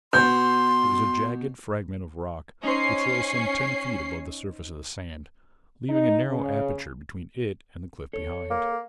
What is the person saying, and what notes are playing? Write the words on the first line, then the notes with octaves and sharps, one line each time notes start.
It was a jagged fragment of rock which rose some ten feet above the surface of the sand, leaving a narrow aperture between it and the cliff behind.
B2 C6 G6
C#4 D#4 C5 C7
D#4
C#3
A4 C#5
A#3